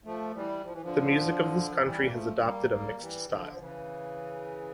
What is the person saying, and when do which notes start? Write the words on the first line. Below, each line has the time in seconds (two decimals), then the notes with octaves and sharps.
The music of this country has adopted a mixed style.
0.05 F3 A3
0.35 E3 G3
0.64 F3
0.73 E3
0.83 D3 F3
1.71 F3
1.82 E3 G3
2.03 A#3
2.11 F3 A3
2.41 G3 A#3
2.70 G3 A#3
2.99 E3 G3
3.29 D3 F3
3.51 F3
3.59 C#3 E3